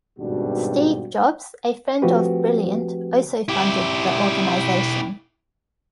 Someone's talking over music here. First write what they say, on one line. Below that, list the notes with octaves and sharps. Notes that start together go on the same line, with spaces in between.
Steve Jobs, a friend of Brilliant, also funded the organization.
G#1 G2 B2 G3 D4 F#4
F3 A3 C4 F#4 G4 B4
E4 G4